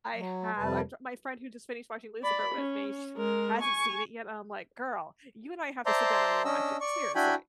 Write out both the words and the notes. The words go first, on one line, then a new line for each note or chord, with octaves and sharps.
I have I'm tr my friend who just finished watching Lucifer with me, sh hasn't seen it yet, and I'm like, "Girl, you and I have to sit down and watch it, seriously."
F#3
F2 C3 G3 B4 A5
D5 B5
C#4
G#3 A#4
G#5 C#6
C5 D5 E5 A5 A#5 C6
C#4 D4 D#5 E6
D5 C#6
D4 E4 F#4 G5 G#5 B5